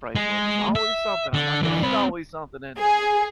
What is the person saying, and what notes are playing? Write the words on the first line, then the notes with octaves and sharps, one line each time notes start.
phrase was, "it's always something," I'm like, "It is always something, isn't it?"
G#3
E5
D3
D3 E3
C4 B5
G#4